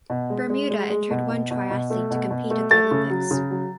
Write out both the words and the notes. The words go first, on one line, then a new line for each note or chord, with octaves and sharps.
Bermuda entered one triathlete to compete at the Olympics.
B2
G#3
G#3
G#3
G#3
B2
B2
B2
B2
A3
B2
B2
A3
A3 A6
C#3
F#3
C#3
F#3